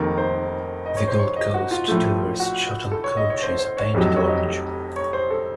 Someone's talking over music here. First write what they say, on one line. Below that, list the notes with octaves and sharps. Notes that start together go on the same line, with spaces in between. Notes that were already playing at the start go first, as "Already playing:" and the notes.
The Gold Coast Tourist Shuttle coaches are painted orange.
Already playing: F1 F2 D#3 A#3 A#4
C5
D#5
C#5
C5
C#5
D#5
F#4
F4
A#1 A2 F3 A3
F#4
A4
C#5
D#5
C#5
C5
C5
C#5
F1 F2 C3 F#3
D#5
C#5
D#5
C#5
C5
A4